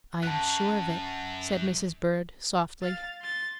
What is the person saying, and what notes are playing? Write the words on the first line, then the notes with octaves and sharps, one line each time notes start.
"I am sure of it," said Mrs. Bird, softly.
F#2 A5 F#6
F5 A6
C6 A6